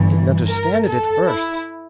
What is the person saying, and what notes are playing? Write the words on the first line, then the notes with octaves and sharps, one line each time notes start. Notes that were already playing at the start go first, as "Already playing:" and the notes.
I didn't understand it at first.
Already playing: G1 G2 E3
A#4
A4
E4